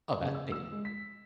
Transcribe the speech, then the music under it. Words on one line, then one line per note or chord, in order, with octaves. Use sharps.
Oh, that's neat.
C#3
E6
E6
G#3
B6